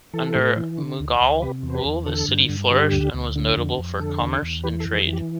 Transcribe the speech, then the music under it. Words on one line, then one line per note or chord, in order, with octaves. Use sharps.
Under Mughal rule, the city flourished and was notable for commerce and trade.
E3 A4
A2
E3
D3
D2
D2
C3 G4 B4
E2
C5
G4 B4
E2
D3 A4
G2
G2
D3 G4
D2
D2
D3
F2
F2
D3 A4
E2
E2
E3 G4 B4
A4
F2
A4
E3
G4